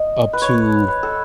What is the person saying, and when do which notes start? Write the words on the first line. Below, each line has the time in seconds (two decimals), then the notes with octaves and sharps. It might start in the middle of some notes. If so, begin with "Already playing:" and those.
up to"
Already playing: D#5
0.33 B4
0.42 C#5
0.88 B4
1.03 A4